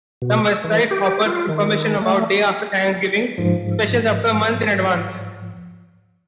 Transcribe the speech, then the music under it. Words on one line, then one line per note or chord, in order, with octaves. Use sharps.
Some websites offer information about day-after-Thanksgiving specials up to a month in advance.
B2
E6
E3
G4
F4
D#3
A3
G#2 F3